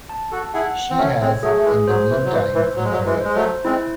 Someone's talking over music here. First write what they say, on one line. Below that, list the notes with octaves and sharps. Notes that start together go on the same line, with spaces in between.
She has, in the meantime, married.
A5
F#4 A4
E4 G#4 F#5
C4
A3 C#4 C#5
G#3 C4
F#3 A3 G#4
A3
E3 G#3
F#3 C5
E3
F#3
E3 C5
E3
F#3 C5
G#3
F#3
E3 G#3
G#3 C5
F#3 A3
G#3 C4 E4